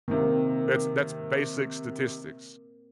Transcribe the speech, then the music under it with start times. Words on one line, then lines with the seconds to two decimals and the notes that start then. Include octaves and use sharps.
that's that's basic statistics.
0.08 C3 D#3 A#3 C4